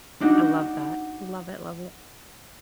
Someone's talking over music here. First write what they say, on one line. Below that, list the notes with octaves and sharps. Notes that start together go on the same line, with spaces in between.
I love that, love it, love it.
D4 D#4 F#4